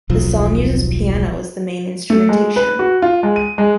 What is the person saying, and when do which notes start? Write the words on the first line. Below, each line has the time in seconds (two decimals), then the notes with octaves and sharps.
The song uses piano as the main instrumentation.
0.09 D#1 B1 F3
2.10 A3
2.29 G#3
2.56 B4
2.79 F#4
3.02 F4
3.23 G#3
3.36 D#7
3.58 G#3